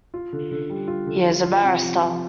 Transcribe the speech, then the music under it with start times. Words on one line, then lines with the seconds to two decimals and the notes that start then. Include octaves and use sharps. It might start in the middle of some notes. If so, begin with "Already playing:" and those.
He is a barrister.
0.14 F4
0.33 D3
0.51 D3
0.70 G3
0.88 F4
1.07 D3
1.26 F4
1.44 F4
1.63 C3
1.82 F3
2.01 F3